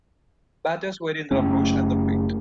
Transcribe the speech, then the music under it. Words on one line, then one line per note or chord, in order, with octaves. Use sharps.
Batters vary in their approach at the plate.
F#1 A3 C#4